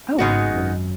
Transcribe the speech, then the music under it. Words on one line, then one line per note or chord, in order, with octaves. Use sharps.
Oh oh
G#1 G#2 C#3 G#3 B3 D#4 F#4
F#2